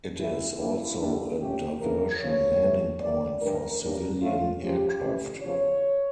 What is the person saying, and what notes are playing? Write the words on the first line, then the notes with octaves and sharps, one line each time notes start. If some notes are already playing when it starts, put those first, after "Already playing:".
It is also a diversion landing point for civilian aircraft.
E2 C#3 E3 E4
F2 E3 A#3 D4 E4
A#2 G3 A#3 D4
A#2 A3 C#4 G4
C#3 E3 A#3 D4 A#4
E2 C#3 F3 C#5
E2 E3 A3
E2 E3 A#3 D5
G2 E3 G3 A#4
E2 C#3 G3 D4 A#4
D3 A3 C#4 F4
C#3 F3 C#4 G4
F2 E3 A3 C#4
E2 C#3 F3 C#5